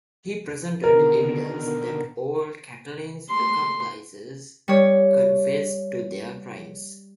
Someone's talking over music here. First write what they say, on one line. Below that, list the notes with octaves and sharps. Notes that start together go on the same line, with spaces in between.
He presented evidence that all of Catiline's accomplices confessed to their crimes.
B2 D3 D#3 A#4
C6
G3 C#5